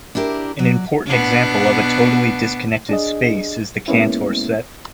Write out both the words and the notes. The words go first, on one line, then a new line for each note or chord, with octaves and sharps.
An important example of a totally disconnected space is the Cantor set.
D4 E4 G4 A#4
F#3 D5
B2 B3 D4
D4 G#4 D#5
G#3 A#3 B3 C#4 E4